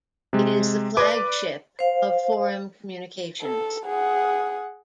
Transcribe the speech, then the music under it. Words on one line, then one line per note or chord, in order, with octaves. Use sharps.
It is the flagship of Forum Communications.
C3 G#3
B4 D5 D6
C5 F5
A4
G#4 F#5